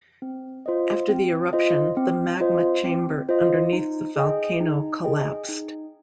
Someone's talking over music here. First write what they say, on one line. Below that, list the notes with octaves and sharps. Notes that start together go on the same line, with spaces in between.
After the eruption, the magma chamber underneath the volcano collapsed.
C4
F4 C5 D#5
C4
F4 C5 D#5
C4
F4 C5 D#5
C4
F4 C5 D#5
D#4
G#4 D#5 G5
D#4
G#4 D#5 G5
D#4